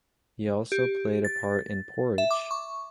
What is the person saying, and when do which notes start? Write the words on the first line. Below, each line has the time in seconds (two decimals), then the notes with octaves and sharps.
He also played a part in "Porridge".
0.72 G4
1.24 A6
2.18 E5
2.31 D6
2.51 C#6